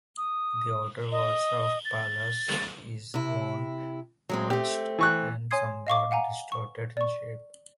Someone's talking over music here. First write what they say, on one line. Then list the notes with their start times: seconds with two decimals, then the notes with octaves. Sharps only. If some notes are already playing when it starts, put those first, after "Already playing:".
The outer wall of Pallas is worn, notched, and somewhat distorted in shape.
0.18 D#6
1.12 D#5
1.85 A6
3.14 C3 E4
4.29 F#3 G#3 C4
4.50 A3 C4 G4
4.99 E3 C#6 F#6
5.51 C#5 G#5 C6 D#6 G#6 C7
5.87 D#5 F5 C#6 D6
6.11 F5 F#5 G#5 A#5
6.52 C#6
6.97 D5 C#6